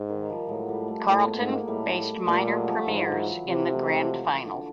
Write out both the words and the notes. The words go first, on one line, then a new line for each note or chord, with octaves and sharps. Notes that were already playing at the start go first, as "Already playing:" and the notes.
Carlton faced minor premiers in the Grand Final.
Already playing: G#2
D#3
F3 G3
A2 F#3 G#3
G3 A3
G3 A3
A2 G#3 A#3
A3 B3
G#2 G#3 A#3
G#3 A#3
A2 G3 A3
A#2 G3 A3
F#3 G#3
F3 G3
G#2 E3 F#3
C3
A3
G#3
G3
F#3
F3
E3
D3